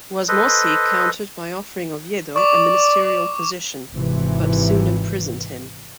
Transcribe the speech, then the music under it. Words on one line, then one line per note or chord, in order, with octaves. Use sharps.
Wasmosy countered by offering Oviedo a ministerial position, but soon imprisoned him.
A4 B4 C5 D#5
D5 C#6 D6
G#1 C3 E3